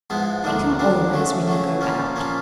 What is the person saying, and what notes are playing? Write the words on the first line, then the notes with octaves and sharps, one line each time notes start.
Thank him always when you go out.
G#2 F3 G#3 B3 E4
D2 D3 F3 A#3 D4
D2 D3 F3 A#3 D4
C#3 F#3 A3
C#3 F#3 A3
A#2 F3 A#3 C#4
A#2 F3 A#3 C#4